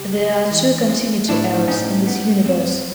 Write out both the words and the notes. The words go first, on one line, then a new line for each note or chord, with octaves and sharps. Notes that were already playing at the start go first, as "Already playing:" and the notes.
There are two continuity errors in this universe.
Already playing: C#2 G4
G#3
E3
G#3
A2 D4 E4
A2 C#4 D#4
G3 B3
F#2 C4